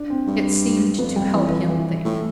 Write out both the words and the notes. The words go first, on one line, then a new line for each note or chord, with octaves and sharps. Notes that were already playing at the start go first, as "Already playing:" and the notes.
It seemed to help him think.
Already playing: D4
C4
G2
F2 B3
G3
E3
F3
E3
E3
A2